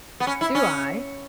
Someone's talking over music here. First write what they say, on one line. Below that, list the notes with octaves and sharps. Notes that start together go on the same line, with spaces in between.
"Do I?"
B3
C#4
E4
C#4